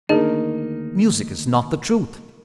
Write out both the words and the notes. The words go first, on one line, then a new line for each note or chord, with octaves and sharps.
Music is not the Truth.
D2 D#3 A#3 D4 D#4 G#4 A#4